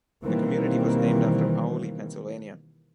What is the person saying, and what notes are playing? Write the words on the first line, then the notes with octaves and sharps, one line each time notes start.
The community was named after Paoli, Pennsylvania.
B2 D#3 E3 G3 A#3 C4